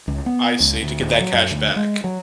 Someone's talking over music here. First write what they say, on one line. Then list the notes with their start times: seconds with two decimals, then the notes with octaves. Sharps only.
I see, to get that cash back.
0.08 C#2
0.26 B3
0.60 C#2
0.83 D2
1.00 D1
1.21 F#3
1.33 F#2
1.51 D2
1.76 G#3
2.04 F#3